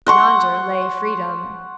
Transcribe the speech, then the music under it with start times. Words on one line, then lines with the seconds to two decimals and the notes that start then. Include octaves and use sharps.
Yonder lay freedom!
0.07 F#5 C6 C#6